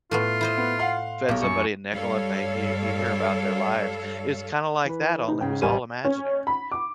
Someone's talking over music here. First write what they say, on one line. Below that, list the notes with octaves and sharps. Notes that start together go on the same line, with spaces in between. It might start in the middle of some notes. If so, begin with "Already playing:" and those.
fed somebody a nickel and they you you hear about their lives, it's kinda like that only it was all imaginary.
A2 A3 B3 F4
E4 C5 D#5
B3
F5 F#5 C6
B1 G4 C#5
F#2 C#6
G2 G3 A4 C#5 F5
E3 B4
C3 D#4
G#2 C#3 G5
A1 G3 G4 A#4 G#5 D#7
C#4
B5
D6